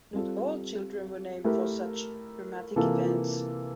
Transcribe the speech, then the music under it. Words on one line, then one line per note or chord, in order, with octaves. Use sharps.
Not all children were named for such dramatic events.
G3 C4 F4 A4
A3 E4 G4 A#4
C3 E3 A#3 F4 A4